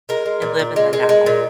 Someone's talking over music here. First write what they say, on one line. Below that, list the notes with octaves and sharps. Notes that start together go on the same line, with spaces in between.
and live in the now,
G#3 A#4
G#3
A#2
A#2
G#3
G#3
G#3
A#2